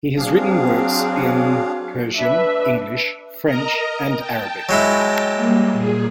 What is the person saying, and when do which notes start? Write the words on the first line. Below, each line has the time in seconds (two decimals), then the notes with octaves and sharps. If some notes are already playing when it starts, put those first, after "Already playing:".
He has written works in Persian, English, French, and Arabic.
0.17 F#3 C4 D4 G#4 F5
2.18 D4 B4 E5
3.44 A#4 D#5 A#5
4.18 G5 A5
4.69 F#3 G#3 E4
5.34 G3 A#3
5.72 A#2 G#4